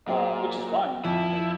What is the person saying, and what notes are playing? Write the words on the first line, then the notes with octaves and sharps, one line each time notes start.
uh, which is fine, but
A#2 F#3 G#4 C5
F2 F3 E4